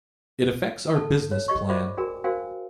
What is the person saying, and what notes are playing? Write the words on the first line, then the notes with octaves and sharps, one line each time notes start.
It affects our business plan.
A4 A5
C#5
G4 D#5 C#6
F4 C5 D5 E5 B5 D6
D4 F#4 G#4 A#4 G5 A#5
D4 F#4 A#4 C5 F5 G5